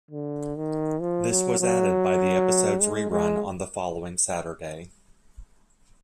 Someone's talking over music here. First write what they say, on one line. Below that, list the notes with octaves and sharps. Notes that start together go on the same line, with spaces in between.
This was added by the episode's rerun on the following Saturday.
D3
D#3
F3
F#3
F#3
G#3
G#3